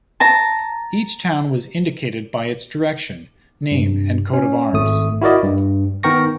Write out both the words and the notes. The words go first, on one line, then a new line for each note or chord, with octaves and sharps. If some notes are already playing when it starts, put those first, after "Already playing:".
Each town was indicated by its direction, name, and coat of arms.
A5 A#5
G2 C3
C#4
G#1 A3 D#6
E4 F#4 A#4 D5 D#5
G2
D#3 B3 A#4 G5 C#6 A#6